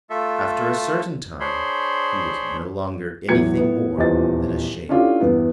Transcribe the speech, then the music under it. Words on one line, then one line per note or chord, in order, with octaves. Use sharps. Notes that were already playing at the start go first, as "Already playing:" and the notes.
After a certain time he was no longer anything more than a shade.
A3 F4 A4 E5
D4 G#4 C5 C#5 B5 C6
E2 A2 F#3 B4 G#6 C#7
A2 B3
D#1 E2 A#2 C5 D#5 A6
C#4 D4 E4 F4 G4 A4
E2 G2 B3 E4